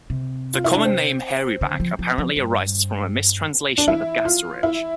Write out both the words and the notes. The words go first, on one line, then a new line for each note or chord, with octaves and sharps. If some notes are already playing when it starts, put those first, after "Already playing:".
The common name "hairyback" apparently arises from a mistranslation of "gastrotrich".
C3
F4
E4
D4
C4
D3
F3
F3
F3
G2
D4
E3 E4
F4
E4